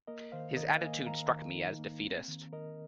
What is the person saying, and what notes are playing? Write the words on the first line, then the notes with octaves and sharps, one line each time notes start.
His attitude struck me as defeatist.
A#3 A#4 D#5
D#3 C5 F5
D#3 A#4 D#5
F5
A#3 D#5 G#5
D#3 F5 A#5
D#3
D#4
A#3
C4
D#3
D#3 A#4 D#5